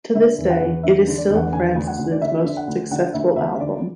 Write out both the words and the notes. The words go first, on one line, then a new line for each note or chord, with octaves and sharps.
To this day, it is still Francis' most successful album.
D3 E5
E2
F#5
E2
D3 E5
D3
D5
E2
F#5
D3 G#5
D2
F#5
D2
D5
D3 E5
D3
F#5
D2
D3 F#5
D2 E5
D2 E5
D3 D5